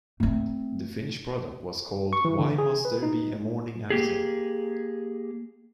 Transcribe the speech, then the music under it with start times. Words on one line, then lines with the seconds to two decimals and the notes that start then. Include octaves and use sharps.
The finished product was called Why Must There Be a Morning After?
0.20 A3 C4
2.13 C#6
2.25 E3
2.38 D3
2.58 G#4
2.85 B4
3.03 D#4
3.90 A#3 G4 G#4